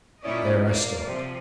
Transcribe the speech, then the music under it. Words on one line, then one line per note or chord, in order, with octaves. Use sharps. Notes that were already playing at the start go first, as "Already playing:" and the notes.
There I stopped.
A#2 C#4 E4 D5 D#5
A#3 D5 F5
C3 F3